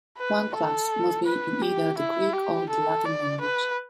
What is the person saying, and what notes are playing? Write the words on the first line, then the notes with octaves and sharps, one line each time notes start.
One class must be in either the Greek or the Latin language.
B4
A4
B4
G4
E4
G4
A4
D5
B4